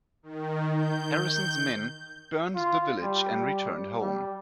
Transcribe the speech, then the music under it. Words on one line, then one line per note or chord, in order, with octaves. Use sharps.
Harrison's men burned the village and returned home.
D#3
G6
F4
G3
G3